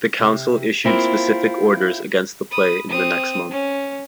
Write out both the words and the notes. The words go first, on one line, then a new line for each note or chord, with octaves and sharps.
The Council issued specific orders against the play in the next month.
C3
A#3 C4 E4 F4
B5 D#6
C4 D#6
C#4